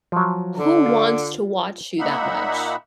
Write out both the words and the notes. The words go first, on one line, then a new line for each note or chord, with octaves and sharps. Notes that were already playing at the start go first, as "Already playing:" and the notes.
"Who wants to watch you that much?
F3 F#3
D3
F4
A#2 A#3 D#4 E5 F#5 B5